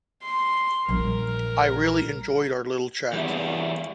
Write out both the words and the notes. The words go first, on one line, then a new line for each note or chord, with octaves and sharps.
I really enjoyed our little chat.
C6
A#1 G3 A#4
E2 E3 G3 E4